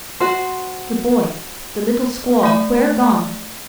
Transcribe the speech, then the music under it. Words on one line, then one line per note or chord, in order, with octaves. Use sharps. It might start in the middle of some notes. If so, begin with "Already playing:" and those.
"The boy, the little squaw,--where gone?"
F#4 C5
A3 D5